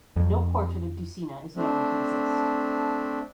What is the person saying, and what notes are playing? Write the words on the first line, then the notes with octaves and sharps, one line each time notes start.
No portrait of Dusina is known to exist.
F2
A3 C4 D4